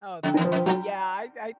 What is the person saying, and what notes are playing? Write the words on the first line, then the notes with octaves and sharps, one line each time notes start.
Oh, thank you. Yeah. I I
F2 D3
D#3
E2
F3
F2
F3
G2 F#3